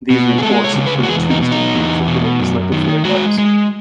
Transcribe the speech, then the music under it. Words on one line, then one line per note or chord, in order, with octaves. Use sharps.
These reports include two distinct groups of Greys that differ in height.
B2
G#4
G#3 A4
C#5
C#3
B4
F#4
E2 G#4
D#4
B2
D#4
E2
B2
F#2
D#3
G#3 F#4
G#3